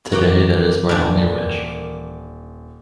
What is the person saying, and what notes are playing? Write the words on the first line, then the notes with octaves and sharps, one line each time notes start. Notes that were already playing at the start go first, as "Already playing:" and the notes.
Today that is my only wish.
E3 F#4 A#4 F#5 G5 D6
D#1 G3 D4